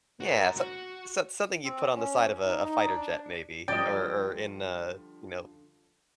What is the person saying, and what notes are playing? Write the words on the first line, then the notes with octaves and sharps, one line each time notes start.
Yeah. So so something you put on the side of a a fighter jet maybe, or or in a, you know,
F#4 A#4
F#4
C4
C#4
D#4
D#4
D4
D3 F3 G3 D5 D#5 G5